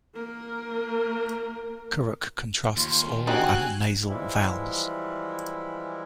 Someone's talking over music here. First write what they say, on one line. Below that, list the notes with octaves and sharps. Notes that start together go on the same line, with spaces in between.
Kurukh contrasts oral and nasal vowels.
A#3 A#4
D#2 F4
C4 D4 D#4 F#4 G4 G#5 F#6
E3 F3 G3 G#3 E4